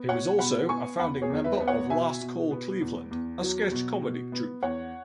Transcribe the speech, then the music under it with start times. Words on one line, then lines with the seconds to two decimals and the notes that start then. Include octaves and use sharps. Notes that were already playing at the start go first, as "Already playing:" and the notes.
He was also a founding member of Last Call Cleveland, a sketch comedy troupe.
Already playing: B3
0.08 B2 C#5 F#5
0.39 B2 F#5 B5
0.69 B3 G#5 C#6
0.99 E2 F#5 B5
1.22 G#4 C#5
1.30 E2
1.44 B4 E5
1.60 B3
1.68 C#5 F#5
1.90 B2 E5 G#5
2.21 B2
2.51 B3
2.81 E2
3.11 E2
3.41 F#3
3.72 B2
4.02 B2
4.32 B3
4.62 E2 C#5 F#5